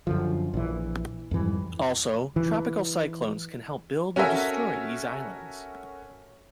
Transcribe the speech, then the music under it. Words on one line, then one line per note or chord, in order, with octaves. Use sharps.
Also, tropical cyclones can help build or destroy these islands.
F#2 D3 F3
A#1 E3
F2 G#2 E3 G3
E3
C#4 F#4 A4 A#4 E5 G#5